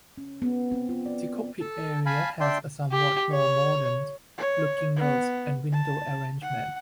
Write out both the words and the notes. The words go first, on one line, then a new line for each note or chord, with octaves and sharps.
The cockpit area has a somewhat more "modern" looking nose and window arrangement.
C#4
B3
C4
F4
D5
A4 A5
F5 G#5 A5 B5
D4 D5 E5 G5 C6
G4
C#5
C#5
B3
A5
F#5